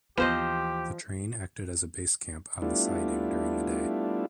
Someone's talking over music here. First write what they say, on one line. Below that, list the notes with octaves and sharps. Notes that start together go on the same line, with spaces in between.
The train acted as a base camp on the siding during the day.
D#2 E3 F3 B3 G4 C5 D#5
G3 A3 B3 D4 E4 F4